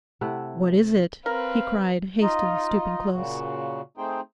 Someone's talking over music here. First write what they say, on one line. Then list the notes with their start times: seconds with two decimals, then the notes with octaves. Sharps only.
'What is it?' he cried, hastily stooping close.
0.21 C3 A3 E4 F#5
1.26 C4 A#4 B4 F5
2.22 D#4 F4 D#5
3.12 A#2 C#3 F#4
3.98 A3 C4 D#4 G#4 C5 G5